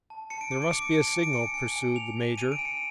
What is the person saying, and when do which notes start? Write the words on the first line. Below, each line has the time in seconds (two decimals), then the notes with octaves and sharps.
"There must be a signal," pursued the major.
0.10 A5
0.30 A5 C#7
0.41 D7
0.51 D6 C#7
0.62 D7
0.72 D6 C#7
0.82 D7
0.93 A5 C#7
1.02 D7
1.13 G#5 C#7
1.23 D7
1.33 G#5 C#7
1.44 D7
1.54 G#5 C#7
1.76 G#5
1.96 G#5 F7
2.17 G#5
2.38 G#5 D#7
2.52 D7
2.58 G#5
2.65 C#7